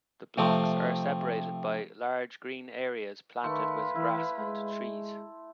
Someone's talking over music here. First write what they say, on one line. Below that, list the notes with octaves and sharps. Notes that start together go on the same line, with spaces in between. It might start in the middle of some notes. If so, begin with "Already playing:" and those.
The blocks are separated by large green areas planted with grass and trees.
C3 F3 A3 C4
D#3 A3 B4 F5 C6
E3 E4
G#3